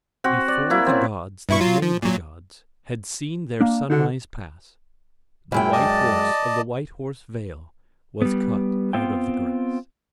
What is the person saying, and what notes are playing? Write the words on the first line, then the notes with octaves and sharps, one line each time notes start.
Before the gods that made the gods Had seen their sunrise pass, The White Horse of the White Horse Vale Was cut out of the grass.
C4 F#4
D5
A#3 E4
C4 C#4
G2 E4 C#6
F#3 F4
F3
A#2 F#3
A#3 D4
D3 D#4 F#4 F#5
F#2 G#3 E4 G5
D5 D#5 A5
G3 B3
B3 C4 F4 G5